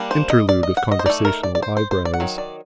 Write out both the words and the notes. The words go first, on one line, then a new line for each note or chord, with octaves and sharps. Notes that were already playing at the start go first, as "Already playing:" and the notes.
Interlude of conversational eyebrows.
Already playing: G3 A#3 D4
C5
D#5
D5
D#5
F#5
D#5
C5
A3 D#4 D5
A#4
D5
D5
C5
C5
C5
D5
F#5
D#3 F#3
D5